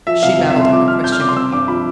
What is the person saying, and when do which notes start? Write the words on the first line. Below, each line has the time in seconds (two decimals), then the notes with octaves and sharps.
She babbled out a question at him.
0.07 F3 E5
0.23 C2 F5
0.39 C3 F5
0.50 E5
0.56 C2
0.61 C6
0.72 F3 D6
0.87 C2 F6
1.04 C3 G6
1.12 F6
1.20 C2 D6
1.29 C6
1.36 C4 E6
1.52 G2 D6
1.68 F3 B5